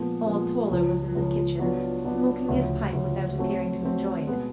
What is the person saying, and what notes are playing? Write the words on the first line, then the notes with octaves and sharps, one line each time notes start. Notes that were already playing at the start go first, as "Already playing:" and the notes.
Old Toller was in the kitchen, smoking his pipe without appearing to enjoy it.
Already playing: A#2 F3 G#3 B3
A#2 F3 G#3 B3
C#2 C#3 F3
C#2 C#3 F3
F#3 B3 D4 F4
F#3 B3 D4 F4
D2 C#3 F3
D2 C#3 F3
F#3 A3 C4
F#3 A3 C4
B2 G#3 B3